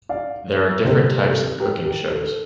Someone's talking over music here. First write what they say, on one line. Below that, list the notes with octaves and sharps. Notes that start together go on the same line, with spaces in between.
There are different types of cooking shows.
D5 F5
C3 G3 A#3 A4 C5
A4
G4 A#4
G4
A4